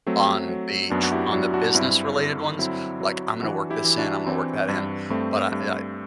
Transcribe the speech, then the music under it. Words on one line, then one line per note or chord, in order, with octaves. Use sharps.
on the tr on the business related ones, like, "I'm gonna work this in, I'm gonna work that in," but I eh,
F#3 A3 C4
F#3
F#2 B3 D4
F#4
E4 G4
F#3 D4 F#4
D4 F#4
F#4
G2 C4 E4
D3
F#3 C4 E4
F#3
E3 D4 F#4
E4 G4
E3
D4 F#4
E3 C4 E4
G2
G2 A3 C4
G2